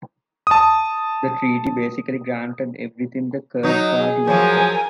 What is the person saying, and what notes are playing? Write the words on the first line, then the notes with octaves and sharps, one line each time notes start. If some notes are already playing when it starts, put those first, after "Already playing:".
The treaty basically granted everything the Kirk Party wanted.
A5 D#6
F#3 D#4
G#4
F3 F#3 A#4 G#5